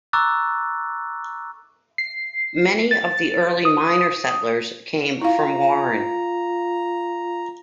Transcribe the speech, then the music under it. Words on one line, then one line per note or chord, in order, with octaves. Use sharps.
Many of the early miner-settlers came from Warren.
A#5 C#6 D6 E6 F#6 A6
C7
A6
D#6
E4 F4 F5 A#5